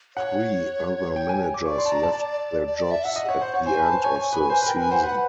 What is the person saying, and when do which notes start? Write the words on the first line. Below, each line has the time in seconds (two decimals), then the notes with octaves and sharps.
Three other managers left their jobs at the end of the season.
0.16 C#5 F#5
1.16 G5
1.29 G#5
1.54 D6
1.66 D5 C#6
1.78 C6
1.86 A5
1.92 A#5
2.03 A5
2.66 D5
2.79 D5
2.91 E5
3.04 E5 F#5
3.16 D#5
3.29 C#5
3.41 C5
3.54 C#5
3.66 C5 G#5
3.78 B4
3.83 A5
3.92 C5
3.99 G#5
4.04 C#5
4.16 C#5
4.33 B4
4.50 C5
4.62 B4
4.66 A#4 G5
4.78 B4 G#5
4.91 C5 F#5
5.03 B4 F#5